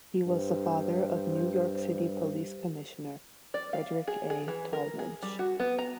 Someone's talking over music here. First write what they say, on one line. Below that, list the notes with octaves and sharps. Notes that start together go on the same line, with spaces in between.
He was the father of New York City Police Commissioner Frederick A. Tallmadge.
G2 C5
D5
F5
G#4
G#4
E3
A#4
G#4
G3
F#4
B3
A#5